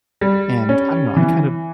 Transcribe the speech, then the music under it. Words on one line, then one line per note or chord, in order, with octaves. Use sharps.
and I don't know, I kind of
G3
C#4
E3